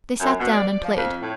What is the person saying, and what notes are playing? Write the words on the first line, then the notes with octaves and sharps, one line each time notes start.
They sat down and played.
F#2
B2
D5
F3
F2
A2